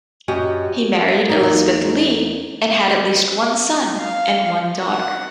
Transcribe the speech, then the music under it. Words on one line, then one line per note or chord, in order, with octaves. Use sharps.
He married Elizabeth Lee and had at least one son and one daughter.
F#2 F#4 G4 D#5
E2 A#3 D#4
F5
F#5